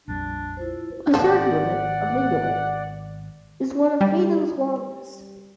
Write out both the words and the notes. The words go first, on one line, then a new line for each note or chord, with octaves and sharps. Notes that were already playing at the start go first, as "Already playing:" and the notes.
The third movement, a minuet, is one of Haydn's longest.
A#1 F2 G3 D4
E4 F4 C5
G#1 F3 B3 A4 D5 F#5
G3